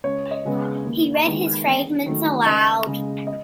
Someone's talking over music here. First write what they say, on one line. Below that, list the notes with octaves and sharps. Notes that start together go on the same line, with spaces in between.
He read his fragments aloud.
C#2 C#5
D#5
C#3 G#3 B3
D#2
D#3 G#3 B3
E2
D#3 F#3 A3
C#2 D#5
C#3 G#3
D#5